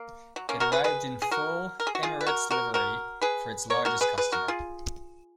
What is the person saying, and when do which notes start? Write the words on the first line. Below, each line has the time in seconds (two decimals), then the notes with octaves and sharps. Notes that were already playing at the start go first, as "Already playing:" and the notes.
It arrived in full Emirates livery for its largest customer.
Already playing: A#3
0.36 F#3
0.49 A#3 C#4
0.60 F#4 A#4
0.72 G#4 B4
0.84 G#4 B4
1.22 G#4
1.31 F#4 A#4
1.80 A#4
1.87 G#4
1.95 F#4
2.03 F4 G#4
2.21 B4
2.26 F#4 A#4
2.51 F#4 A#4
2.74 F#4 A#4
3.21 G#4 B4
3.70 A#4 C#5
3.85 F#4 A#4
4.01 G#4 B4
4.18 G#4 B4
4.32 F#4 A#4
4.48 F4 G#4